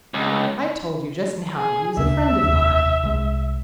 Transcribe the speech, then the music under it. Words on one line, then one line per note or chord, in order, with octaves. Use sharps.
"I told you just now that he was a friend of mine."
C#2
G#4
D2 C#3 D4 E5
F1 D#2
C2 G#3